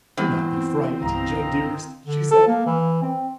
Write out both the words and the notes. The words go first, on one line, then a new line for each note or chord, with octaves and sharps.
"Do not be frightened, Joe dearest," she said.
E2 C4
G1 C2 D#5 F5 A#5
D3
A4
A#3
E3
C4